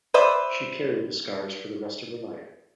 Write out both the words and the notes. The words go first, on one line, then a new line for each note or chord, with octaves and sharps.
She carried the scars for the rest of her life.
B4 C5 D5 E5 B5